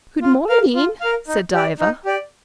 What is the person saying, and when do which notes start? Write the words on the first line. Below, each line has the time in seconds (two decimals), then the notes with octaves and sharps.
"Good morning," said Diva.
0.22 F4
0.49 A#4 F5
0.75 F4
1.01 A#4 F5
1.28 D#4
1.53 G4 D5
1.80 D#4
2.05 G4 D5